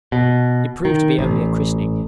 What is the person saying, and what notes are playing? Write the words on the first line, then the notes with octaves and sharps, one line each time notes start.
It proved to be only a christening.
B2
D#3
A1